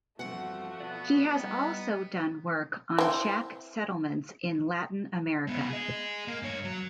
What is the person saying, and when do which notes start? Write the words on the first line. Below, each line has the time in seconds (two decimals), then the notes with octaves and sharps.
He has also done work on shack settlements in Latin America.
0.19 E2 G2 F3 A3 C4 F#4 F#5
0.80 B2 B3 D5
1.35 G3 D#4 D5 D#5 G5
2.98 E3 C4
5.47 G#3 B3
5.70 G#4 D#5
6.28 A#3
6.42 G2 C#5
6.64 F#3